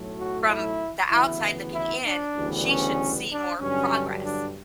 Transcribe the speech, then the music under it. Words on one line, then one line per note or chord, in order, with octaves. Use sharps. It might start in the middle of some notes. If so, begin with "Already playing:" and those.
from the outside looking in, she should see more progress.
Already playing: B1 A2 F#3 A3
F#4
E4
D2 C#3 E3 B3 E4
E4
D4
D2 C#3 E3 G3 B3
C#4
D4
G2 D3 F#3 C#4
D4